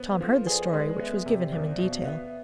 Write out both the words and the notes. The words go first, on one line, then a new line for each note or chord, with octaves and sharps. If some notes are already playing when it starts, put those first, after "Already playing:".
Tom heard the story, which was given him in detail.
Already playing: B3 C5
F3 A4
B4
C5
G#4 D5
G#3
B3 E5
E5
C3 D5
C5
E2 D5
C5
B2
F5
B3 E5